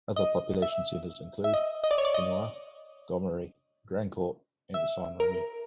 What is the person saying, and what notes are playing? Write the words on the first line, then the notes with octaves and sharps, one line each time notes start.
Other population centers include: Chenois, Gomery, Grandcourt, and Saint-Remy.
D#5
E5
E5
D#5
D#5
D5
C#5
D5
D#5
E5
A#4